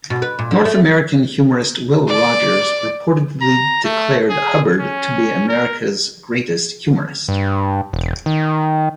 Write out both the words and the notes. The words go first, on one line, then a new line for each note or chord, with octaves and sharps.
North American humorist Will Rogers reportedly declared Hubbard to be America's greatest humorist.
B2
B4
A#2
D3
A3
D5
A#5
A3
G#4
C#4
A#4
G2
E1
D#3